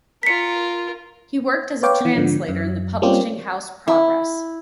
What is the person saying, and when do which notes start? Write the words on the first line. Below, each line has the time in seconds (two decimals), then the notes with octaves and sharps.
He worked as translator in the publishing house Progress.
0.23 F4 A#4 B6 C#7
1.83 B4 C#5 F5 G5 D6
2.01 E3 B3
2.15 G#2 D3 F3
2.49 F#2
3.02 G3 A#3 C4 C#4 F4 G4
3.88 E4